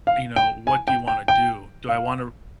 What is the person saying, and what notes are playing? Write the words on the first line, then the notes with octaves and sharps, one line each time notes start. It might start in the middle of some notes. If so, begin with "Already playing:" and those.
you know, what do you wanna do? Do I wanna
F5
G5
G#5
G5
G5
G5
F5